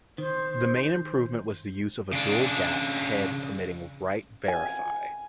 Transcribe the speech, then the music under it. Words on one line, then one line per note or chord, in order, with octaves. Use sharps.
The main improvement was the use of a dual gap head permitting write verify.
D#3 C5
C#3 D4
G#5